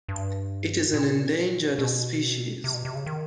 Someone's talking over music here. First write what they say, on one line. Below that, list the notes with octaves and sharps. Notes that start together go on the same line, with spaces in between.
It is an endangered species.
G2
A#2
B2
C3
B2
C3
C#3
D#3